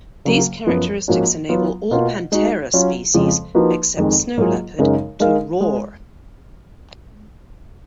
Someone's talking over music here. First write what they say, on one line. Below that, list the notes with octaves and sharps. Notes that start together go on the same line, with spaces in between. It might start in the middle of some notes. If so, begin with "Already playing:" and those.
These characteristics enable all "Panthera" species except snow leopard to roar.
C#3 F#3 A#3
F#2 F3 B3
G#2 F3 A#3 C#4 F#4
F#3 B3 F4
B2 A#3 F4
G#3 D#4 F#4
F#3 C#4 F4
F2 C#3 F3 G#3
F3 A#3 D#4 F#4 B4
F2 D#3 G#3
G#2 F#3 A#3 F4 G#4
F#2 C#3 G#3 D#4 A#4
G#3 D#4 A#4 F5
G#3